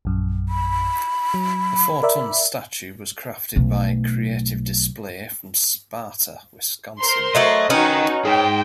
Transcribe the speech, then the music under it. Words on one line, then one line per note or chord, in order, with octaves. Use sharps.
The four-ton statue was crafted by Creative Display from Sparta, Wisconsin.
A#1 F#2
B5
F#3
A#4 D5 E5
B1 A3
A#4 C5 C6
F#3 A3 F#4 D#5
C#4 D#4 F#4 B4 D#5 G5
D#4 G#4 G5